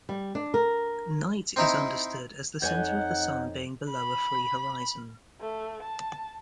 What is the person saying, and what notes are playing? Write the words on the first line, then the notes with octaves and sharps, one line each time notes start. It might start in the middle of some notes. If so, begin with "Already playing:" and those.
"Night" is understood as the center of the Sun being below a free horizon.
G3
D4
A#4
C4 D#4 E4
F2 D#4 C#5 F#5 G#5 G6 G#6
B5
A3
A5